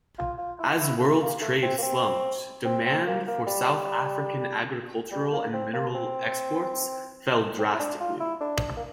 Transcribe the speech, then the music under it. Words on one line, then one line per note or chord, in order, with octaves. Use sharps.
As world trade slumped, demand for South African agricultural and mineral exports fell drastically.
F4
F4
E4
E4
A3
A#3
A3
C4
A#3
C4
C4
C4
A#3
A#3
G3
G3
A#3
C4
A#3
C4
C4
E4
D4
F4
E4
D4
A#3